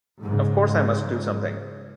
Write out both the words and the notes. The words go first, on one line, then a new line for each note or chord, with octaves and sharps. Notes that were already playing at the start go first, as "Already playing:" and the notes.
Of course I must do something.
G#2 C#3